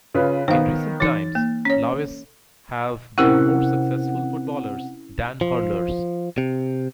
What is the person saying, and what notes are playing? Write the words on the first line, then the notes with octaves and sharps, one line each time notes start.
In recent times Laois have been more successful footballers than hurlers.
C#3 F4 B4
D#3 B3 C5 F5
E3 D#4 A6
A#3
C#4 C#5
C3 C4 C#4 E4 A#4 F#5
F3
C3